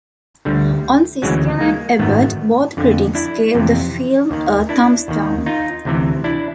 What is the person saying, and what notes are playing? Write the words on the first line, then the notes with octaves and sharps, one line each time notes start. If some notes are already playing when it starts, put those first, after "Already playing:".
On Siskel and Ebert, both critics gave the film a thumbs down.
D2 D3 G3
D2 C#3 E3 F#3 G#3
G#3 A#3
G#1 F#2 D#3 A3 B3
F2 D3
D4 E4
F2 C3 E3
D#2 D#3
D4 E4
D#2 D#3
D#4 F4
D2 C3 E3
D4 E4